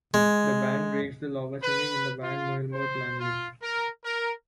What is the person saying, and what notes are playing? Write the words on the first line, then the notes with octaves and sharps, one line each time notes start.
The band breaks the law by singing in the banned Mohelmot language.
G#3
B4
F4
C5
F4
A#4
A#4